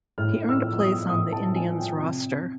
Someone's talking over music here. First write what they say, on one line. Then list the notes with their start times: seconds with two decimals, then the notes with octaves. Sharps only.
He earned a place on the Indians' roster.
0.18 A2 F6
0.49 E6
0.63 F3
0.73 E6
0.79 D#6
1.09 A2 D#6
1.32 A5
1.56 F3 G#5
1.78 G5
2.01 C3